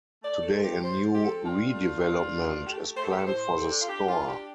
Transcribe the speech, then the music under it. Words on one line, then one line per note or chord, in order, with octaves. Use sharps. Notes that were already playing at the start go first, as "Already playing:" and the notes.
Today a new redevelopment is planned for the store.
A3 D5
A4
C4
G4
F3 C5
C4 G4
A4
D4 F4
A3
D4
A3
A3 G4
A3 C5
A4
G4
A4
A2 C5
C4 A4
D4
F4
D4 G4
F4
D4
G4